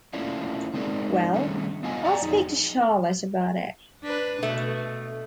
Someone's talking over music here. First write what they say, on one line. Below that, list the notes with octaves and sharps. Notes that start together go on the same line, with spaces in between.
Well, I'll speak to Charlotte about it.
A3 A#3 C#4 D4 E4 F4
G#3 C4 D#4 G#4 A#4 D5
D#3 F3 G3 A3 C#4 D4
B3 F4 D#5 G#5
D5 F#5 A#5
F2 F#3 D#4 G#4
D4 B4
B2 A3